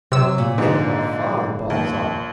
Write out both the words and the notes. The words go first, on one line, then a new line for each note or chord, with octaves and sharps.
Yet what folly balls are!
C3 F#3 E6
A#2
G#2 D3
D#2